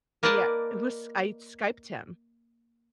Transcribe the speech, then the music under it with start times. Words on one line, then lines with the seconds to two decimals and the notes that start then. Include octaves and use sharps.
yeah, it was I Skyped him.
0.23 A#3 A#4 B4 D5 D#5 A5